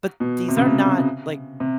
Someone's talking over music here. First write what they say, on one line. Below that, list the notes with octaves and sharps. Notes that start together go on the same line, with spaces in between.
but these are not, like"
B2
C3
C#3
C3
C3